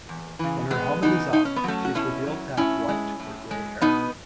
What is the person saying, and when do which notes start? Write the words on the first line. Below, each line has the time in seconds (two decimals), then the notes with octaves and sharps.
When her helmet is off, she is revealed to have white or grey hair.
0.09 E2
0.39 C#3 E3
0.70 E2 G#3 B3
1.02 C#3 E3 B3 D#4
1.33 B2 D#4
1.45 C#4
1.56 B3
1.64 F#3 A3 C#4
1.85 F#4
1.95 B2 C#4 E4
2.27 F#3
2.57 A2 C#4 E4
2.89 G#3
3.20 A2
3.51 G#3
3.81 B2 B3 D#4